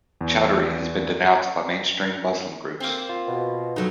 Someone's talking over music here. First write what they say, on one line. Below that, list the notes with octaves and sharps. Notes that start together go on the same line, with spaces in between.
Choudary has been denounced by mainstream Muslim groups.
E2
A#3 C4
F4
B2
C3 F#3 D#4 A4